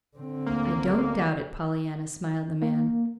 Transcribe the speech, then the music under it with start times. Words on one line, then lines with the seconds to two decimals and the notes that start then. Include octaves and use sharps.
"I don't doubt it, Pollyanna," smiled the man.
0.17 D3 C4
0.47 D2 A#3
2.62 A#3